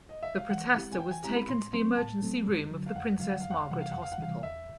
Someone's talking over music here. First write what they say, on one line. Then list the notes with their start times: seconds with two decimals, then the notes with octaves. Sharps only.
The protester was taken to the emergency room of the Princess Margaret Hospital.
0.09 D#5
0.23 E5
0.36 F5
0.50 E3 F#5
0.75 G#3 C4 E4 G4
0.92 G#5
0.99 E3 G5
1.11 G#5
1.24 G#3 C4 E4 G4 A#5
1.36 B5
1.48 A2 C6
1.73 F#3 A3 C4 C6
1.97 A2 A5
2.22 F#3 A3 C4
2.47 F2
2.71 D3 F#3
2.86 F5
2.95 F2 F#5
3.20 D3 F#3 F5
3.30 F#5
3.41 F2 F5
3.50 F#5
3.60 F5
3.70 C3 E3 G3 F#5
3.81 F5
3.92 F2 F#5
4.02 F5
4.12 F#5
4.18 C3 E3 G3 F5
4.43 E2 E5